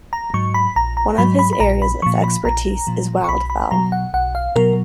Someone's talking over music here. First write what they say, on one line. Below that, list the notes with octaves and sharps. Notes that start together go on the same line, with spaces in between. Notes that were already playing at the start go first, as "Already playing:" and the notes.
One of his areas of expertise is wildfowl.
A#5
G#2 F#3 C#6
B5
A#1 A#5
A#5
G#2 F#3 B5
B5
B5
A#1 A#5
B5
A#2 F3 C#6
B5
A#1 A#5
A#2 F3
C#6
B1 B5
B5
B2 F#3 A#5
F#5
B1 F#5
F5
B2 F#3 A#4